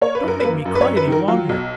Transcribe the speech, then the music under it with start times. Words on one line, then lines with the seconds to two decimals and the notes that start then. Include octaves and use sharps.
Don't make me cry any longer!
0.01 A#3 C#5
0.15 B4
0.23 F#2 A#4
0.40 B4
0.45 A#3
0.65 F#2
0.75 B4
0.81 C#5
0.85 F#2
0.97 B4
1.08 D#3 A#4
1.28 F#3 F4
1.49 B1